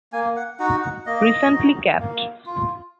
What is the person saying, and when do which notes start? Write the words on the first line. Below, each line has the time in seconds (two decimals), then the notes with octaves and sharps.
Recently Capt.
0.13 A#3 G#5
0.36 F#5
0.59 D#4 F#4 F#5
0.82 F#5
1.06 A#3 D#5
1.52 D#4 F#4
2.00 A#3
2.46 F4